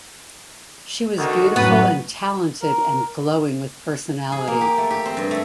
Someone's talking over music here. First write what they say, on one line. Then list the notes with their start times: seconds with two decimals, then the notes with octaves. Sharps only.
She was beautiful and talented and glowing with personality.
1.18 D2 D#3 F#4
1.56 F#2 A2 B3 B4
2.62 A#4
4.32 G#4
4.47 A#3
4.61 G4
4.78 A3
4.90 G4
5.06 C4
5.17 G2
5.31 A3